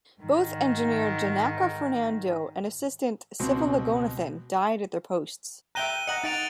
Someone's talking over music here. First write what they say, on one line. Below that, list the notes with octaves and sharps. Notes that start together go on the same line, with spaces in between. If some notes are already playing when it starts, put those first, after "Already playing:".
Both engineer Janaka Fernando and assistant Sivaloganathan died at their posts.
G#2 D#3
C#2 B2 C4
E5 G5 A#5 F#6 D#7 G7
D#5 F#5 A#5 C#7 F#7
D#4 F#5 A6 D7 F7